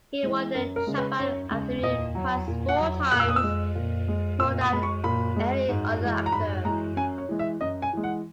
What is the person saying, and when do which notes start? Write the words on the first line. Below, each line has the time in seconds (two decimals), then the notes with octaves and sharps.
He won the Japan Academy Prize four times, more than any other actor.
0.23 E3 G#3
0.55 F#2 A#4
0.76 A#4
0.87 C#3 G#3
0.98 B4
1.19 F#2 C#5
1.51 C#3 G#3
1.83 A#2 D#5
2.15 F#3
2.47 A#2
2.69 F#5
2.79 F#3
3.11 A#2 F#6
3.20 E6
3.29 D#6
3.36 E6
3.43 G#3
3.75 A#2
4.08 G#3
4.40 A#2 E6
4.61 D#6
4.72 G#3 B5
4.83 C#6
5.04 A#2 B5
5.36 G#3
5.69 G#2
6.01 E3 G#3
6.26 A#5
6.32 G#2 B5
6.65 E3 G#3 A#5
6.97 F#2 G#5
7.18 C#5
7.29 E3 G#3
7.39 E5
7.61 F#2 D#5
7.82 G#5
7.93 E3 G#3
8.04 F#5